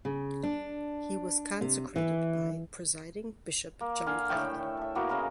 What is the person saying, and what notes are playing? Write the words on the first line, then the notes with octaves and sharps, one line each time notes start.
He was consecrated by Presiding Bishop John Allin.
C#3
D4
C3
E3
A#3
D3 F5 G#5
A2 C#5 E5 G5
E5 A5
A#3 B3 E4 F#4
C#3 E3 A#4 D#5